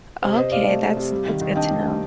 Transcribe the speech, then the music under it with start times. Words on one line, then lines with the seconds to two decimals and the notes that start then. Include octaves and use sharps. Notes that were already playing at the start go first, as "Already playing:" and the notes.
Okay, that's that's good to know.
0.22 C3 C5
0.37 C3 C5 D#5
0.52 C3 D5 F5
0.67 A3
0.82 C3
0.97 C3
1.12 G3
1.27 D#3
1.41 D#3
1.56 D4 D#5 G5
1.71 D4
1.86 G3